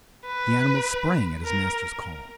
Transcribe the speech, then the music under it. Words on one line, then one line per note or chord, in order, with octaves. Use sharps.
The animal sprang at his master's call.
B4
A#4